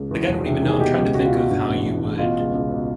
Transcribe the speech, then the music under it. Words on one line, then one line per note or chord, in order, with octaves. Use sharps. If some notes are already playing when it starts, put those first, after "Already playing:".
Like, I don't even know. I'm trying to think of how you would
Already playing: C#2
E2
E1
C3
D#3
G#4
B2 G4
C#2
C#2 F#4
F4
B2 F#4
G2
A1
E3
A1
B2 F4
C#2
C#2
B2